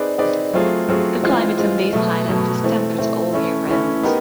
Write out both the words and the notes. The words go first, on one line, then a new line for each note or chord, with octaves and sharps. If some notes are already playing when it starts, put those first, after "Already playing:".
The climate on these highlands is temperate all year round.
Already playing: C4 D#4 G#4 B4 D5
C4 D#4 G#4 B4 D5
F#3 A3 C4 F4 G#4
F#3 A3 C4 F4 G#4
E3 G#3 C4 F4
E3 G#3 C4 F4
B2 F#3 A3
B2 F#3 A3
E3 A3 C4
E3 A3 C4
E3 A3 C#4 E4
E3 A3 C#4 E4
B3 D#4 G4 A#4